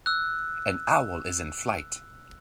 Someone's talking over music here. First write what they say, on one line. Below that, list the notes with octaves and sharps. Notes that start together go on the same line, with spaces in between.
An owl is in flight.
E6 F#6